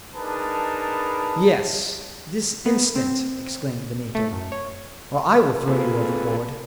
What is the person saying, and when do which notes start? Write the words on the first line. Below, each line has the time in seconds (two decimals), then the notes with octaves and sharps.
"Yes, this instant!" exclaimed Benito, "or I will throw you overboard."
0.14 D4 D#4 G#4 A#4 B4 A5
2.66 B3
2.95 C4
4.15 A3
4.33 F#2
4.52 C#5
5.68 A#3 C4 F4 G#4 A4 B4